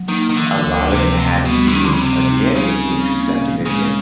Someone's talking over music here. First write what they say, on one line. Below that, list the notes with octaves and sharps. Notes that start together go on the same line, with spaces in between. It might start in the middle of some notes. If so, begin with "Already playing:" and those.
a lot of it had to do again with me accepting that he had
Already playing: F#3
D#3 A#3
D#3
D3 E3
D2
C3 F3
A3
B2 G3
E3
D#3 C4
D3
C#3
C3 C4
D#4
C#3 G3
C4
A#3
A#2
C#3 G#3